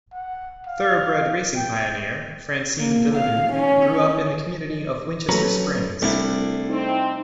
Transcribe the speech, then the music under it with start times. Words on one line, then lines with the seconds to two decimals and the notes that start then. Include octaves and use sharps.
Thoroughbred racing pioneer Francine Villeneuve, grew up in the community of Winchester Springs.
0.13 F#5
0.66 F5
1.56 G5
2.80 A#3
3.15 F5
3.52 C#4
5.29 F#3 A3 C#4 B4 A#5
6.02 C2 A3 D4 E4
6.70 C4 D#4